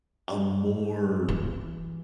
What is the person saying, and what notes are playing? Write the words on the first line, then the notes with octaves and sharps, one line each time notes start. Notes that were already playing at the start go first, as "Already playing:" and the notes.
a more
E3